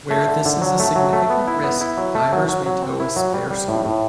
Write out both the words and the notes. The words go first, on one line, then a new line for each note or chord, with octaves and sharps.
Where this is a significant risk, divers may tow a spare scooter.
A3
D3
D3
F#3
A3
F#3
A3
B3
E4
B3
E4
F#3
A3
F#3
F#3
F#3
C4
E4
F#3
G3
G3
A2
A2